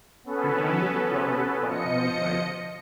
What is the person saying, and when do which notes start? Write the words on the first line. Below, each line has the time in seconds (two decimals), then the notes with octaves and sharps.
Her youngest brother was only five.
0.24 B3 C#4 A4 B4
1.66 F3 D#5 C#7